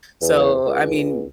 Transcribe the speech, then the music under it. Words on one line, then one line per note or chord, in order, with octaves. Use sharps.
So, I mean,
E2
C#2